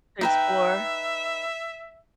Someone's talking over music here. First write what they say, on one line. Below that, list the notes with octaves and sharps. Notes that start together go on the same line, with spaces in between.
To explore?
D#4 B4 E5 G5